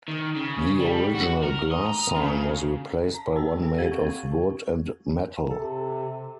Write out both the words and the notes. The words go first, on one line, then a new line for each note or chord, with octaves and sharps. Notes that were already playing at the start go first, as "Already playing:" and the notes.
The original glass sign was replaced by one made of wood and metal.
D#3
C#3
G3
F#4
A#4
D#5
A#5
C#3
A5 A#5
G5 G#5 E6
A4
G4 F5 F#5 G#6 A6 D#7
C4 C#6
C3 A4